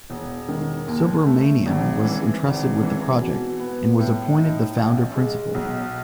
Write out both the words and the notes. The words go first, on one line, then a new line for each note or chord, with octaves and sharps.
Subhramanyam was entrusted with the project and was appointed the founder principal.
E1
D#3
D#2
A3
G#1
E3
G#1
E3
B2
B3
A2
D#4
A1
G#3
B1